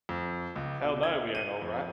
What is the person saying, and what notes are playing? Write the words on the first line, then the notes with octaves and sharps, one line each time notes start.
Hell No We Ain't All Right!
F2
C#2
B2
G#6
D#7
F2